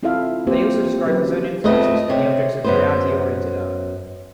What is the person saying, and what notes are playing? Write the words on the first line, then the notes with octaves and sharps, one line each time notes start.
They also describe his own influences in the objects of reality-oriented art.
C4 E4 F4 A4 E5 F5
A#3 C4 F4 G4 C5
F#3 C#4 G4 B4
F2 A3 B3 D#5
C3 C#5
F#2 B3 C5